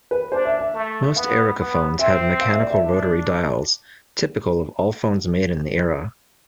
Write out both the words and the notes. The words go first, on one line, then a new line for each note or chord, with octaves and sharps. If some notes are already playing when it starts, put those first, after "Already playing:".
Most Ericofons had mechanical rotary dials, typical of all phones made in the era.
B4
D4 C5
E5
E5
A3
B3 F5
B3
C4 E5
F5
E5
D5
E5
D4